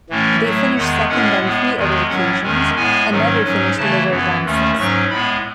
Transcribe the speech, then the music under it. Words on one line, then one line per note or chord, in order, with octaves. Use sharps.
They finished second on three other occasions, and never finished lower than sixth.
A2 E3 A3 C#4
A2 F#3 A3
E2 D#3 G#3 B3 F#5
A2 G#3 C#4 F#5
A2 G#3 B3
E2 D#3 G#3 B3
A2 F#3 C#4 F#5
E2 D#3 G#3 C#4
A2 G#3 B3 G#5
G#2 D#3 F#3 C#4
G#2 F#3 C#4
C#3 E3 A3 A5
F#2 E3 B3
D#2 D#3 A3 C#4
G#2 F#3 C#4 C#6
A2 G#3 B3 B5